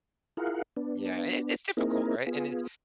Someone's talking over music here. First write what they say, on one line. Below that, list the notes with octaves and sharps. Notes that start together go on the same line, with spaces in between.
Yeah, and it it's difficult, right? And it
E4 F4 G#4 A#4 F5 F#5
B3 D4
A#3 C4 D#4 E4 G#4 A#4
B3 F4 G#4